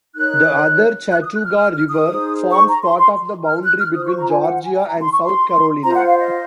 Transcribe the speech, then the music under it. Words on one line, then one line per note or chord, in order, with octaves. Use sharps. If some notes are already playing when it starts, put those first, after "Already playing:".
The other Chattooga River forms part of the boundary between Georgia and South Carolina.
D#4 A#4 C#5 F#6
F#6
D#6
F#6
F6
F6
F6
D#6
D#4 G#4 C5
C#6
A#5
C6
C6
F6
F#6
F6
F4 C5 D#6
C#6
A#5
G#5
F#5
G#5
A#5
C6
C#6
C6
F4 C5 A#5
F#5
F5
D#5